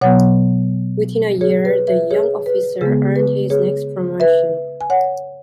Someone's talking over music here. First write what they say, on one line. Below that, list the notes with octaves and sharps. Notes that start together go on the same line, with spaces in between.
Within a year the young officer earned his next promotion.
B2 F#3 B3 C#5 F#5
G#4 C#5
B4
B4 E5
G#4 C#5
B4
C#3 G#3 B3 G#4
B4
G#4 C#5
B4 E5
G#5
C#5 F#5